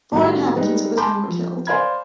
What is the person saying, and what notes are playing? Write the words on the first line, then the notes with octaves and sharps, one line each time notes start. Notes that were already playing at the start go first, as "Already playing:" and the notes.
Four inhabitants of the town were killed.
A2 D#3 G3 D#4 F#4
G3 G#3 D#4 B4
G#5 A5 B5 C6 D6 G6
F3
C5 D5 F5 G#5 B5 G#6